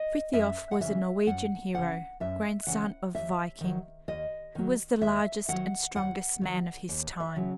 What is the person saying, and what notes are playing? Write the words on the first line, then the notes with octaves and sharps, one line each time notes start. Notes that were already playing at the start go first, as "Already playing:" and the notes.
Frithiof was a Norwegian hero, grandson of Viking, who was the largest and strongest man of his time.
Already playing: D#5
F#2 E5
F#5
C#3 E3 E5
F#2 F#5
C#3 E3 F#5
F#2 E5
C#3 E3 F#5
D#2 E5
D#3 F#3
D#2 D#5
D#3 F#3
D#2 E5
D#3 F#3 F#5
D#2 F#5
D#3 F#3
D#2
E5
C#3 F#3